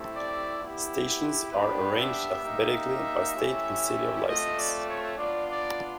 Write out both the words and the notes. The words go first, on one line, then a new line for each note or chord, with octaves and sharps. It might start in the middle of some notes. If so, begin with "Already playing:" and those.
Stations are arranged alphabetically by state and city of license.
Already playing: A3 C4 E4 G4
D5
B3 E4 G4
G3 B3 D4 G4 B4
E5
A#3 D#4 G4
A3 C#4 E4 G4
A3 C4 F4 D#5
D5
C#5
B3 D4 F4 D5
D5